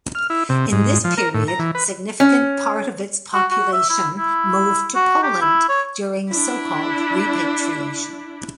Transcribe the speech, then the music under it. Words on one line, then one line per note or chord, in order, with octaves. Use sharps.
In this period, significant part of its population moved to Poland during so-called repatriation.
F6
E4
C3
G#2
F3
A#4
A2
A#5
E3
B4
C#4
F#4
F#4
E5
E4
E4
F#4
G4
E4
C#5
D4 E4